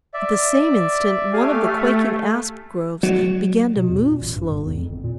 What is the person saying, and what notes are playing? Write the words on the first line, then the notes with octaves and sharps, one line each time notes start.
At the same instant one of the quaking asp groves began to move slowly.
D5 E5
A3 G4 F5 G#5
F#3
B2
E2
A#2
A1
G2
F1
E2
F2
G1
A#2